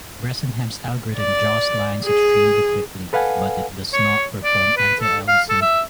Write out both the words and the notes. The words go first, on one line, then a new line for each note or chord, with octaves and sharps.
Bresenham's algorithm draws lines extremely quickly, but it does not perform anti-aliasing.
D5
G#4
A4 B4 F5 F#5 G#5
C#5
D5
B4
A4
F5
A4
E5